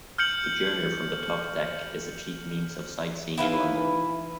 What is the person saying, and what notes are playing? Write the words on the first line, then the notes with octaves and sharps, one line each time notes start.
The journey from the top deck is a cheap means of sightseeing in London.
F6 G6 C#7 F#7
E3 D#4 E4 B4 F5